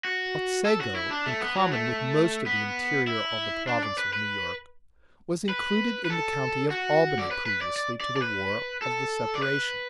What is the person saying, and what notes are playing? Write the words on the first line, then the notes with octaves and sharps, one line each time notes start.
Otsego, in common with most of the interior of the province of New York, was included in the county of Albany previously to the war of the separation.
F#4
A4
F#4
E4
D4
A3
B3
F#3
A3
B3
E4
D4
D5
B4
B4
B4
B4
A4
F#4
D5
B4
B4
D5
D5
D5
D5
B4
A4
D5
B4